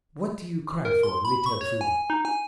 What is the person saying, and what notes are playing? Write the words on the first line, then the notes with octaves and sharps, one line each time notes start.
What do you cry for, little fool?'
A#4
C6
B5
C#6
C#5
G#5
D#4
G#5